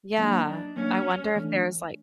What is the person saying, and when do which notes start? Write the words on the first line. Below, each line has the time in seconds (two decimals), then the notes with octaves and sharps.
Yeah. I wonder if there's, like
0.17 F#3 A#3 D4 D#4
0.47 D4
0.76 F#3 A#3 C#4 D4
1.35 E3 A3 D4